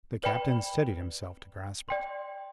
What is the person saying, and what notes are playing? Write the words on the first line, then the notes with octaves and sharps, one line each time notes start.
The Captain steadied himself to grasp it.
B4 D5 G5 B5
D5 G5 C6